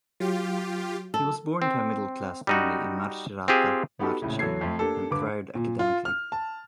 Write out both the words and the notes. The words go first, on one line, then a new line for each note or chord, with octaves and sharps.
He was born to a middle-class family in Macerata, Marche, and thrived academically.
F#3 F4 G4
A4
C4
G3 D#4 F#4
C4 F4 G4 G#4
B3 D#4 F#4 G4 A4
A#1 A2 C#3
E2 F#3 A4 G#6 C7
F2 A3
A#3 D4 G4 A4
G2 D3 B4 D6
A#2
F4
F6
A5